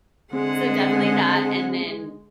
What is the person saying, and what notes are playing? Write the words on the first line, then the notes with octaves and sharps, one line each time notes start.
So, definitely that and then
D3 G#3 C4 F#5